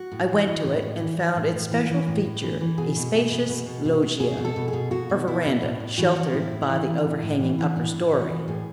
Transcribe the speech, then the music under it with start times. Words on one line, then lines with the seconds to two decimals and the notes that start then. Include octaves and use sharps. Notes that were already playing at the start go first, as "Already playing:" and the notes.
I went to it, and found its special feature a spacious loggia or verandah, sheltered by the overhanging upper story.
Already playing: F#4
0.12 A2
0.28 E3
0.47 E3
0.65 A2
0.82 A2
1.00 E3
1.18 E3
1.35 A2
1.53 A2
1.71 E3
1.90 E3
2.07 A2
2.25 A2
2.43 E3
2.61 E3
2.78 B2 G#4
2.96 B2
3.14 B2
3.31 B2
3.49 B2
3.66 B2
3.85 B2
4.02 B2
4.20 B2 G#4
4.38 B2
4.45 A4
4.56 B2
4.68 G#4
4.73 B2
4.91 B2 F#4
5.10 B2
5.27 B2 E4
5.45 B2
5.62 A2 D4
5.80 A2
5.98 E3 F#4
6.15 E3
6.33 A2 E4
6.51 A2
6.69 E3
6.87 E3
7.04 A2
7.23 A2
7.40 E3
7.58 E3
7.76 A2 D4
7.93 A2
8.11 E3 F#4
8.29 E3
8.48 A2 G#4